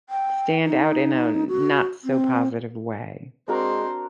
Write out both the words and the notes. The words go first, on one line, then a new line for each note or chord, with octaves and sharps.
stand out in a n not so positive way.
G5
D#4
F#4
C4
G#3 C4 D4 F#4 A#4 C5